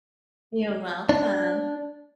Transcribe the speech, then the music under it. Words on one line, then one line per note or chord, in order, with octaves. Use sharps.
You're welcome!
D4